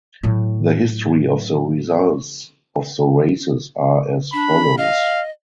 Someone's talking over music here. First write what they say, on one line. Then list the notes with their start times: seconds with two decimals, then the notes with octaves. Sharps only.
The history of the results of the races are as follows.
0.23 A2 F#3
4.33 D4 B5
4.78 D#5 F5